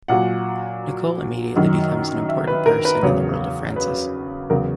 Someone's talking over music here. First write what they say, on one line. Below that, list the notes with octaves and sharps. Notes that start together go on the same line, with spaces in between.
Nicole immediately becomes an important person in the world of Francis.
A#2 F#3 F#5
F#2 D#3 F#3
E5
B4
A#4
B4
E2 C#3 F#3 C#5
B4
E2 C#3 F#3 A#4